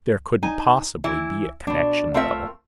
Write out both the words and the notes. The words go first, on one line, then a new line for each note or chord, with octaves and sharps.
There couldn't possibly be a connection though.
D#4 G#5
E3 E4
B2 D4
A3 C4 F4 A#4 E5